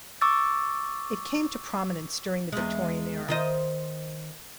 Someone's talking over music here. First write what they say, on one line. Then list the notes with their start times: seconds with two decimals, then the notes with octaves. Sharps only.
It came to prominence during the Victorian era.
0.21 C#6 D6 E6 A6
2.52 E2 G#3
3.28 D#3 C5 D#5